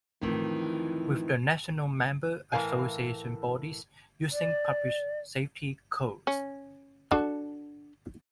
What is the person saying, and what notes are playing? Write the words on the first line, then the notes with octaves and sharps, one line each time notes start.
With the national member association bodies using published safety codes.
F2 A2 D#3 E3
A2 E3 B3 A#4 F5 G#5
D5
C#4
D4 F#4 A4